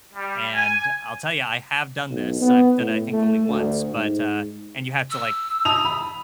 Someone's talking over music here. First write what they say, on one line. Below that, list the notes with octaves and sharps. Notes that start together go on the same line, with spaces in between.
and I'll tell ya, I have done this. I've done it I think only once, but, uh, and you have to like
G3
G#5
B1
B3
A2
A3
D2
G#2
E6
A5 D#6 F7
B5